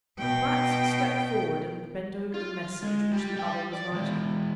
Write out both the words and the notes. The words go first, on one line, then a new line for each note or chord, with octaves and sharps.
Platts stepped forward and bent over the message which the other was writing.
B2 G5
F4
G#3
G3
G3 G5
D5
E3 G#3